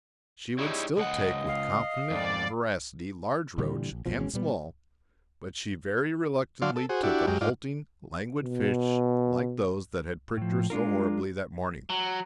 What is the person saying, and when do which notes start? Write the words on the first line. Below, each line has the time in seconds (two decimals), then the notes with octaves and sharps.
She would still take with confident voracity large roach and small; but she very reluctantly took a halting, languid fish like those that had pricked her so horribly that morning.
0.59 G3 G#3 D#4 E4 C#5
0.97 C#2 D#5 F#5
1.47 F5
2.10 F2 G#2 D5
3.58 A#2 D3 E3 G3
3.92 A#1
4.06 A#1 B2 F3
4.17 G#1 B2 G#3 C#4
4.33 A#2 G3 B3
6.62 D3 F#3 D5 F5 C6
6.76 A4
6.89 F#4 G#4 C5
7.03 D4 E4 F#4 G4
7.27 F#2 G#3 G4
7.41 G#2 D#4 F4 D5
8.44 B2
10.37 A2 F3
10.70 G#3 D4 F4 A#4
11.90 F#3